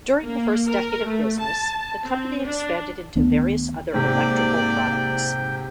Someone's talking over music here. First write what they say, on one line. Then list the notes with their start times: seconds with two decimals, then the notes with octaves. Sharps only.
During the first decade of business, the company expanded into various other electrical products.
0.24 A#3
0.69 A#4
1.05 A3
1.39 A5
2.05 C4
2.44 D4
3.15 D2 D#3 B3 D4
3.94 G#2 C3 A#3 D5 G5